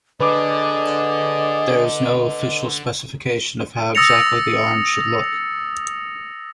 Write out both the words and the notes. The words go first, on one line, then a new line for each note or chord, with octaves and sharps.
There is no official specification of how exactly the arms should look.
D3 G#4 B4 D5 D#5 D6
D#6 E6 A6 A#6 C#7 F7